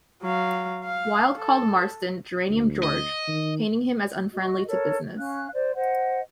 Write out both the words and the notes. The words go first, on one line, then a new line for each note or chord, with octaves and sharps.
Wilde called Marston "Geranium George", painting him as unfriendly to business.
F#3 F5
F5
A4
D2
D#5
D#3
F#4 D#5
A4 A#4 C#5
C#4 F5 F#6
C5 D5
C5 D#5 F#5